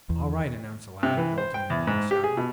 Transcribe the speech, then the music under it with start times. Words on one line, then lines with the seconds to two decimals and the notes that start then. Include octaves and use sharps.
"All right," announced the lad, vaulting into the saddle.
0.10 E2
1.03 C3
1.17 E3
1.38 C5
1.54 G5
1.70 E2
1.87 G#2
2.11 G4
2.24 G#4
2.37 B2